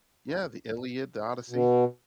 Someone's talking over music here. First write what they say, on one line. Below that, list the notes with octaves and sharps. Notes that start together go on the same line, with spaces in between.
Yeah, the Iliad, the Odyssey.
B2